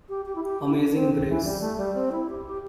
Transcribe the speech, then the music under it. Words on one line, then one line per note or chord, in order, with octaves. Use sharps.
Amazing Grace.
G4
G4
E4
G4
E4
D4
C4
E3
G3
A3
G3
C4
E4
G4
G4